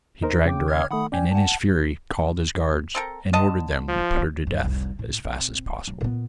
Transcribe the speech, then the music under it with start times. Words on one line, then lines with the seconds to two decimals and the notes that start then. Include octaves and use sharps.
He dragged her out, and in his fury called his guards, and ordered them to put her to death as fast as possible.
0.23 D#4 A#4 C5
0.46 C#3 G5 D6
0.68 C#5 F6 G#6
0.91 D#3 A3 F#5 B5 D#6
1.12 C#4 D5 G5 G#5
1.32 F#5 A5
2.95 C4 A4 A#4
3.33 D3 D#5 A5
3.89 F3
4.47 G2
4.64 F1 C2
4.99 A2
5.25 A#2 C4
5.87 F#3
6.01 A#2 B3